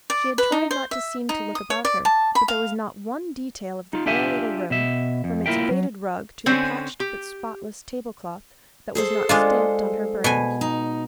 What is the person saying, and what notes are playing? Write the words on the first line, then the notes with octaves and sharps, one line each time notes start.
She had tried not to seem to look about her; but there was not one detail of the bare little room, from its faded rug to the patched but spotless tablecloth, that was not stamped on her brain.
D5
B4
D#4
C5
E5
D#4
D#6
C#5
D5
A5
B5
F5
D#4 F4
D4 F4 G4 E5 G#5
B2 E5
F2
A#3 E4 F4 A#4 E5 G5
F#3
D3 C4 C#4 C5 G#5
G4
G#4 A4 C5
G#3 D4 F4
B2 G#5
D#4